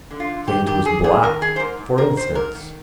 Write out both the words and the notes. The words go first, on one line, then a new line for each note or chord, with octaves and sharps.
Say it was black, for instance.
D3
F4
D3
D#3 G4
D#3 G4
D#3 G#4
G#2 G#4
D#3 A#4
D#3 G#4
C5
G#2 A#4
G#2
D#3 A#4
D#3 C5
G#2 A#4
D#3